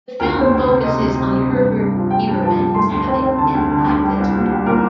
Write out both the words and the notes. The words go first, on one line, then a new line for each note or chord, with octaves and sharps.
The film focuses on Herbert Biberman's having been blacklisted.
D2 A#4
D2
C5
D2
C3
C3 D#5
D2
C3
C3
G2
G2
G2
F3
F3 G5
G2
F3 A5
G2
A3 C6
D2
C4
C4
D3 A5
D2
D3
D2
G3
C2
A#2
G3
A#2 A#4